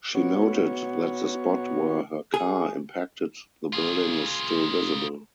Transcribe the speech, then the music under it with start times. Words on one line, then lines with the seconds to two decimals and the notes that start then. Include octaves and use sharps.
She noted that the spot where her car impacted the building is still visible.
0.15 B3 F#4 C#5
2.34 G#4
3.73 F4 G#4